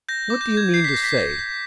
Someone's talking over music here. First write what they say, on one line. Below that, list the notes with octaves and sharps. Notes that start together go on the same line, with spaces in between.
"What do you mean to say?"
G6 A#6
D6
G6
G6
G#6
G6 C7
B6
G6 A#6
B6
G6
G6